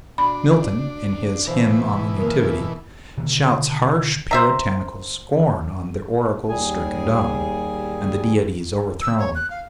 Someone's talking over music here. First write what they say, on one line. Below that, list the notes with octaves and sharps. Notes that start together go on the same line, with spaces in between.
Milton in his Hymn on the Nativity shouts harsh Puritanical scorn on the oracles stricken dumb, and the deities overthrown.
B2 D4 B5
B2 E3 C5 F5
C#3 G#3 A#3 A#4
B2 D3 D#3 A#3
C5 E5 A#5
D#2 G3 G#4 G#5
E6
C#5
F#6
F5